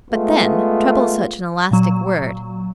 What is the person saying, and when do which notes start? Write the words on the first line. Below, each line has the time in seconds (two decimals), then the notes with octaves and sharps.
But, then, trouble is such an elastic word.
0.12 G#3 A3 B3 F4
1.71 A#2 F#3